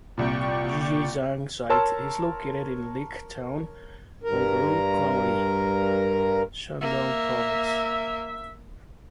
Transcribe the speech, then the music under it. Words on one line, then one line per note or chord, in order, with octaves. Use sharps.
Xixinzhang site is located in Lique Town, Guangrao County, Shandong Province.
C2 A#2 D5 G5 C#6
A#4 C#5 A5 C6 E6 F6
G2 A#4
A#3 E5